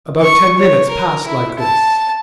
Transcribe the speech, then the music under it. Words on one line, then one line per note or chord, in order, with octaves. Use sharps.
About ten minutes passed like this.
C#6
C#5
A#4
E4
A5